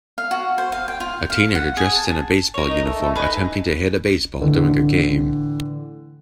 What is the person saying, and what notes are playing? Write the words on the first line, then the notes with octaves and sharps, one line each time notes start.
A teenager dressed in a baseball uniform attempting to hit a baseball during a game.
F5
F#4
C5
F5
G5
F4
F5
F#5
G#4
A5
A#4 C#5
D#4
A3
A3
D#4 G#4 B4
A2 D3 E3